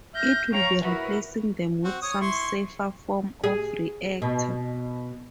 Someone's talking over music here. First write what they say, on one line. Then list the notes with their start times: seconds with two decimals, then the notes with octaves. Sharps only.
It will be replacing them with some safer form of reactor.
0.14 E5 F6 G6 A#6
0.52 C#5 F5 G5 A#5 C#6
0.82 E4 F#4 A#4 B4 E5 F#5
1.84 C4 F#4
2.02 C#5 D#6
2.21 E4 C6 C#6
3.44 G#4
4.22 B2